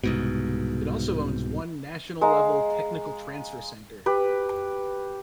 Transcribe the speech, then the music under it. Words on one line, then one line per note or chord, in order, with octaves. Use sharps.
It also owns one National-level Technical Transfer Center.
C2 G#2 B2
G#3 F5 A#5
G4 B4